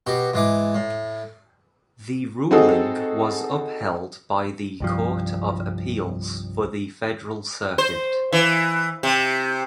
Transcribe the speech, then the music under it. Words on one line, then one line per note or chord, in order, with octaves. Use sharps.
The ruling was upheld by the Court of Appeals for the Federal Circuit.
B2 F#4 G4
G#2 E3 D6
A2
C4 D#4 F#4 G#4 A4
C2 G2 F3
C5
E3
C3